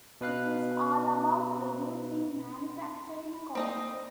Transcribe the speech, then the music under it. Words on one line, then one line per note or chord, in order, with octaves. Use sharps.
It is all about reducing manufacturing costs.
B2 B4 F5 F#6
B5
A#3 C4 D#4 D5 D#5